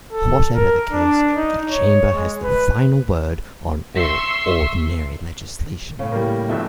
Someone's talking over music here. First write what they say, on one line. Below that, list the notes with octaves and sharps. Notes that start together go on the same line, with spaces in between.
Whatever the case, the Chamber has the final word on all "ordinary legislation".
A4
A#4
D4
D#4
C#5
G#3
B4
E5 C6 C#6 E6 C7
A2 C#3
G3 A#3
A#1 B2 A3 E5